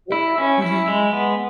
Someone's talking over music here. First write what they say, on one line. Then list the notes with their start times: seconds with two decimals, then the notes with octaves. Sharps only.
workout? Mhm.
0.12 E4
0.38 C#4
0.62 E4
0.88 G#3
1.13 B3